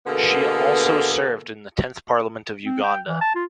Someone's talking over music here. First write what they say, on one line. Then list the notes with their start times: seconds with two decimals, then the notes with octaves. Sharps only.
She also served in the tenth Parliament of Uganda.
0.06 B2 D3 A#3 B3 G#4 A4
2.65 C4
2.84 G5
3.07 E3
3.21 A5
3.35 F4